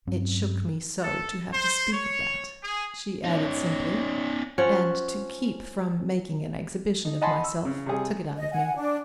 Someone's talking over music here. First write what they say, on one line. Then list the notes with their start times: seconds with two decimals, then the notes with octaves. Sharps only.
It shook me so to have to speak of that," she added simply, "and to keep from making an exhibition of myself took it out of me.
0.07 G2 F#3 C4 C#4
1.03 A4
1.53 C5
1.92 C#5
2.63 G#4
3.24 C#4 D#4
4.58 F3 C#4 C#5 F#5
7.05 D#4
7.21 D#5 F#5 G#5 A5 B5 C6
7.44 E6
7.65 C#3
7.86 C3 G3 G#4
8.38 D#5
8.52 F#5 G#5
8.75 D4